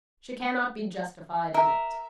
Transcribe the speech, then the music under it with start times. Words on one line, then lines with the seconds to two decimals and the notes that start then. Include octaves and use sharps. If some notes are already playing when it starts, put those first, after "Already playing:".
She cannot be justified in it.
1.54 A#4 E5